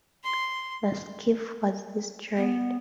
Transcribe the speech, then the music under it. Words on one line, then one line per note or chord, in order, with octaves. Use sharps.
The skiff was destroyed.
C6
B3